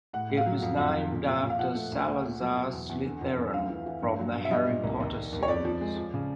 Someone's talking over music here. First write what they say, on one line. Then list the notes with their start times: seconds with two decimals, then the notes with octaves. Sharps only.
It was named after Salazar Slytherin from the "Harry Potter" series.
0.13 A2 F#5
0.30 A2
0.37 F5
0.46 F#3
0.62 F2
0.79 F2
0.95 F2
1.11 A#2
1.26 A#2
1.43 A#2
1.50 F5
1.59 F3 F#5
1.75 A3
1.92 D2
2.08 A3
2.24 A#2
2.41 F#3
2.56 B2
2.73 E2
2.89 E2
3.05 D3
3.21 F2
3.38 D3
3.54 D2 F5
3.70 E3
3.86 E3
4.02 G2
4.19 F#3
4.35 G2
4.45 E5
4.51 G3 D#5
4.68 A#2
4.84 C2
5.00 D#2
5.16 D#2
5.32 D#2
5.43 C#5
5.48 F2 D5
5.65 F3
5.81 G#3
5.96 F3
6.14 C#3